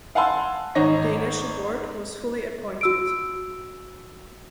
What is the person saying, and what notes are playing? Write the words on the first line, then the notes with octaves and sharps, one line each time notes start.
The initial board was fully appointed.
F5 F#5 G#5 A5 C6 E6
G#1 D#4 C#5 A#6
F#4 E6 D7